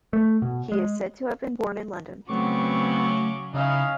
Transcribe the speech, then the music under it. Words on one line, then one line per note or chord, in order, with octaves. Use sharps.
He is said to have been born in London.
A3
B2
G#3
C#3 F#3 A3 B3 C4 C#6 D6
C#3 C#4 D#4 E4 D#5 F5